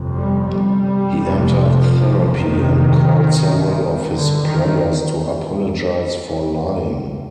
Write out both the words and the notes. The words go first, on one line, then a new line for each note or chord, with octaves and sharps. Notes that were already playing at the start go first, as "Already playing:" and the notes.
He entered therapy, and called several of his players to apologize for lying.
Already playing: G1 F2 C3
G3
G3
F1 F2 C3
F3
F1 F2 C3 D#3
G1 G2
D3
D#3